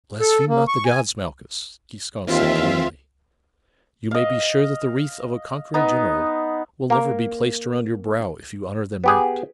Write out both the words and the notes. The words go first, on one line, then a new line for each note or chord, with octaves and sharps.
"Blaspheme not the gods, Malchus," Giscon said gloomily; "you may be sure that the wreath of a conquering general will never be placed around your brow if you honour them not."
A4
A#3
C#6
G#5
D#2 E3 C4 F4 E5 F5
D#5 F5
B3 D#4
A#3 A#4
B3 G4 G#4